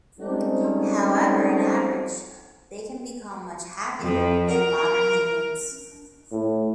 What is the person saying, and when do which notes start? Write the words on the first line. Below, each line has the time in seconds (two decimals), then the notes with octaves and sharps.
However, in average, they can become much happier than modern humans.
0.20 G3 G#3 C4 C#4 D#4 A4
4.00 F2
4.50 A#4
6.32 A2